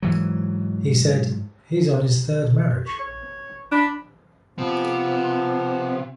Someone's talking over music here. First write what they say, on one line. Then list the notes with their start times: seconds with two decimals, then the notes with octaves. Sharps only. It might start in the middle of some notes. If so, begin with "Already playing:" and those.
He said, He's on his third marriage.
0.02 G#2 E3 F#3
2.87 C#6
3.00 C#5
3.72 D4 B5
4.58 C3 F3 B3